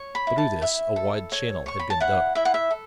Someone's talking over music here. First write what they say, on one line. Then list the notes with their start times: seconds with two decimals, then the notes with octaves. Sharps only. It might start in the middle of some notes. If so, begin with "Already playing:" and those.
Through this a wide channel had been dug.
Already playing: C#5
0.15 B5
0.27 E4
0.38 A5
0.62 E4 E5
0.96 A4
1.32 C#5
1.66 C#5 C#6
1.79 B5
1.90 A5
2.00 E4 F#5
2.35 E4 E5
2.45 F#5
2.54 E5
2.71 A4